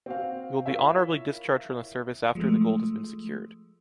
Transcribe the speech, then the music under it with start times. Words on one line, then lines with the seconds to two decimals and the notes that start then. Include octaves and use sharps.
You will be honorably discharged from the service after the gold has been secured.
0.06 C4 F#4 F5
0.66 E4 F4 A#4 C#5 E5
2.35 F3 G#3 A3